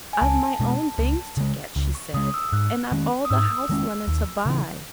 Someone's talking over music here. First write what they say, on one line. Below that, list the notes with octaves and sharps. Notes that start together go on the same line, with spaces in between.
'I've my own things to get,' she said, 'and I've all the house-linen to buy.'
G#5
C#2 A5
B2 G#3 B3
C#2
C#3 G#3
C#2
C#6
C#3 G#3 D#6
E6
G#2 F#6
D#3 G#3 C#4
D#6
G#2 E6
D#3 G#3 C#4
D#2
C#3 E3